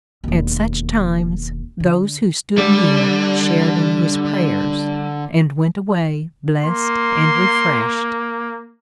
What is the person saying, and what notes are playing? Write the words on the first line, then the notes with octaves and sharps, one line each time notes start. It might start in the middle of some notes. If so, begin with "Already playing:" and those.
At such times, those who stood near shared in his prayers, and went away blessed and refreshed.
E1 D#2
D3
D3 G3 D5
A#3 C6